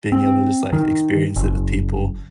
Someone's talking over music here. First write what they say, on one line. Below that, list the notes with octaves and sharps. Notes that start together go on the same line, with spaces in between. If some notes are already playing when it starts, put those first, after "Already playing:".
being able to just like experience it with people,
C4
D#3
F#1